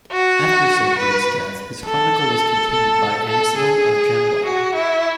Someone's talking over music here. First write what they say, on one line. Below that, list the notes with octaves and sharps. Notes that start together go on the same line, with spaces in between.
After Sigebert's death his chronicle was continued by Anselm of Gembloux.
F#4
B4
A4
A4
A4
G#4
F#4
E4